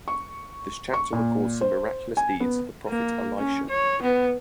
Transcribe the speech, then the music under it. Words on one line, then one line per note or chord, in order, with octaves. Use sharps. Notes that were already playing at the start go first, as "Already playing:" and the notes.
This chapter records some miraculous deeds of the prophet Elisha.
C#6
C#6
A#2
C5
G#5
B3
A#3
C#4
C#5
B3